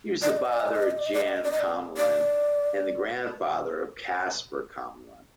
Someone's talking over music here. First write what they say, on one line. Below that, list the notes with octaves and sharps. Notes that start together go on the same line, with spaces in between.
He was the father of Jan Commelin and the grandfather of Caspar Commelin.
D5
D#5
D5
D#5
D5
D#5
D5
D#5
D5
D#5
D5
D#5
D5
D#5
D5
D#5
D5
D#5
D5
D5